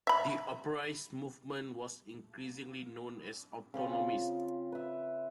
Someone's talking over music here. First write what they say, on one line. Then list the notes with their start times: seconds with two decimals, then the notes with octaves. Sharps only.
The "operaist" movement was increasingly known as autonomist.
0.07 E5 B5
3.74 C#3 C4 F4 C#6
4.72 B4 E5